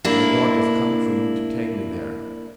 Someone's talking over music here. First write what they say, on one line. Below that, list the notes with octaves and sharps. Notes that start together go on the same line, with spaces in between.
"My daughter is coming for me to take me there."
A#3 D4 E4